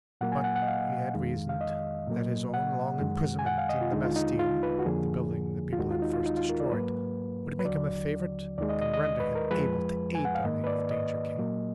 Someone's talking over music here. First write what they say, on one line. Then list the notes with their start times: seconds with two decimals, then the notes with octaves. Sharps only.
But he had reasoned that his own long imprisonment in the Bastille--the building the people had first destroyed--would make him a favorite, and render him able to aid Darnay if danger came.
0.21 A#2 F#3 A#3 F#5
0.32 G#5
0.44 F#5
0.56 F#5
0.62 D#5
0.68 F5
1.14 F2 D#3 G#3
1.49 F5
1.61 D#5
2.07 A#2 F#3 A#3
2.54 F#5
2.99 F#2 D#3 G#3
3.39 G#5
3.46 F#5
3.58 F5
3.69 D#5
3.81 F4
3.92 D#2 D3 G#3 D#4
4.05 F4
4.16 D#4
4.39 F4
4.63 B4
4.79 F#4
4.86 F2 D3 F3 A#3 G#4
5.73 F4
5.78 D#2 D#3 G#3 F#4
5.91 F4
6.02 D#4
6.13 F4
6.26 D#4
6.37 F4
6.49 A#4
6.60 D5
6.72 G#2 F#3 A#3 B4
7.59 B4
7.65 D#2 D3 F#3 D5
8.58 D#2 D#3 G#3 D5
8.69 D#5
8.82 D#5
8.94 D#5
9.05 D#5
9.20 B4
9.35 A#4
9.51 F2 F3 G#3 B4
10.15 G#5
10.25 F#5
10.35 F5
10.44 G#2 D#3 A#3 D#5
10.64 B4
10.67 D5
10.91 D#5
11.37 A#2 F#3 A#3